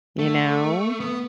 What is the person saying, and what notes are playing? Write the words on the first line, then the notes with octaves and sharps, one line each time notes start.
You know?
A3
B3